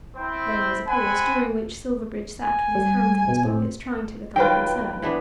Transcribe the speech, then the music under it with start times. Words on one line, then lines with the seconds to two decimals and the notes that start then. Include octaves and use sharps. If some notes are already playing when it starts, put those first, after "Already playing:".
Then there was a pause, during which Silverbridge sat with his hands in his pockets trying to look unconcerned.
0.16 C4 E4 C5 G5
0.88 C4 F#5 G#5 B5
2.42 G#5
2.75 G3
3.28 B2
3.45 A2 C4
4.36 D#3 F#3 F4 B4 G5
5.02 E3 B3 D4